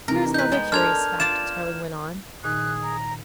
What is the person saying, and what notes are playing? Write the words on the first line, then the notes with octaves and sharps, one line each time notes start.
"Here is another curious fact," Tarling went on.
C3 E3 A#4
D#4 B4 G6
G#3 B3 G5
D4 A4 A#4 C6 F6 G#6 F7
F4 D5 A5 E7
A#2 D#3 D#4 G#4 F#6
A#5